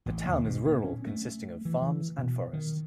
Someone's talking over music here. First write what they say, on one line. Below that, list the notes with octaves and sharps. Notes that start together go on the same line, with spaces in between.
The town is rural, consisting of farms and forest.
A1
D#2
B2
A#2
C#4
A3
E3
E3
B2
D#3